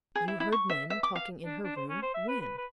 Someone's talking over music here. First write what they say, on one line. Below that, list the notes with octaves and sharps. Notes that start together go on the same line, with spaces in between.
"You heard men talking in her room--when?"
G#4
E4
E4
C#6
E5
E5
D6
F5
D4
D4
C5
C#4
C5
E5
B4
B4
B4